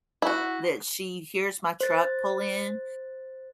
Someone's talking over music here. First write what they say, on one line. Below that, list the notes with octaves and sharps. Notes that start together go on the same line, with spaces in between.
that she hears my truck pull in,
E4 F#4
C5 A6